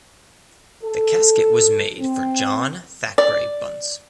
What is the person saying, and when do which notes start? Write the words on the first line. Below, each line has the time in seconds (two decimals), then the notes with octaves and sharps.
The casket was made for John Thackray Bunce.
0.83 A4
1.99 C4
3.18 D5